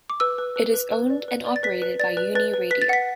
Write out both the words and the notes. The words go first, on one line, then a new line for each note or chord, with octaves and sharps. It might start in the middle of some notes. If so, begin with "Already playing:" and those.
It is owned and operated by Uniradio.
D6
B4 E6
B4
B4
B4
B4
D5
B4
D5
A6
B4 B6
B4
D5 A6
B4
B4 A6
B4
B4 B6
A6
F#5 B6